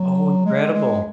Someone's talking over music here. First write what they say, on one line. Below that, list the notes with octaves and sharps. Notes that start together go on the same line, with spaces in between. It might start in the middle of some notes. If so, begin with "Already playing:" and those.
Oh, incredible.
Already playing: F#3
G#3
G#3